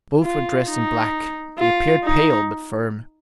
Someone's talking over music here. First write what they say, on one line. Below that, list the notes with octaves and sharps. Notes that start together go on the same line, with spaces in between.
Both were dressed in black; they appeared pale, but firm.
F4
D#4
F4
D#4